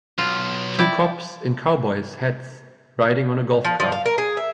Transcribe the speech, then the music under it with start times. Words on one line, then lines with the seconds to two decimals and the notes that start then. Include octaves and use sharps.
Two cops in cowboys hats riding on a golf cart.
0.18 B1 F4
0.79 E4 D5 G5
3.65 F3
3.80 F3
3.92 F5
4.06 A#4
4.18 G#4
4.37 E5